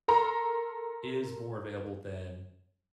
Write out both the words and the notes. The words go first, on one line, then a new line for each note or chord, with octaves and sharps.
is more available than
A4 A#4 A#5 C6